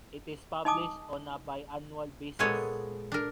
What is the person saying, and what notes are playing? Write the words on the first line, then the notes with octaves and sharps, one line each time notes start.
It is published on a biannual basis.
D#4 D#5 G#5 A5 D6 D#6
A#2 G#3 B3 A4 C#5 G#5
D4 A#4